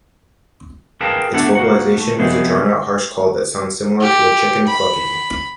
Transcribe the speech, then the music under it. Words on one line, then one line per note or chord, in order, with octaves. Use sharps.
Its vocalization is a drawn-out harsh call that sounds similar to a chicken clucking.
G#4 A#4 B4 F5 G5 A5
A3 B3 D4 A4 C#5 F#5
A#3 C#4 F#4 F#5
A3
C3 F3 B3 D#4 G#4
G4
B5